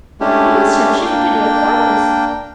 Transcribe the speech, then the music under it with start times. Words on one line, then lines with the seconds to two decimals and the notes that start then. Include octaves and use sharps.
You must have shifted your quarters.
0.20 G#3 A3 C#4 D4 E4 G4
1.06 A#3 D4 G5